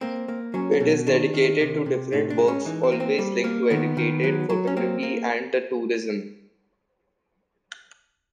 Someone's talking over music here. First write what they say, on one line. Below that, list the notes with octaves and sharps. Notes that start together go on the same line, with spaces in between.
It is dedicated to different works, always linked to educated, photography and the tourism.
A#3 C4
A#3
F#3 C#4
B2
D#3 D4
D#3
C3
C3
A2 D#4
D4
G#3
C#4
E3 D#4
C4
A#3
C4
G3
A#3
D#3 B3
D#3
F#3
F#3
C#4
A#3 C4
A#3